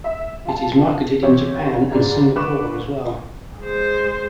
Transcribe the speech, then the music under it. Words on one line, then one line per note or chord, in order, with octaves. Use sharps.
It is marketed in Japan and Singapore as well.
E5
F4 A5
E3 C4 C#4 F#4 G4 C#5
G#2 C#3 D4
D3 B4 C#6 D6 E7
G#3 C5